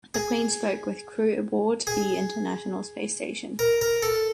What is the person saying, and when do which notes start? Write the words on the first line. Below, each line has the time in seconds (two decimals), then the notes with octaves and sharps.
The queen spoke with crew aboard the International Space Station.
0.14 G#4
1.87 G#4
3.59 A#4
3.81 A#4
4.03 A4